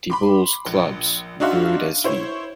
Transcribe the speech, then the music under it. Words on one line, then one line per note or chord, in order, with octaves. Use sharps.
De Boules clubs Grude, Sv.
B5 C6 D6
A#1
D4 D#4 F#4 E5 F5 C6
E4 C5 C#5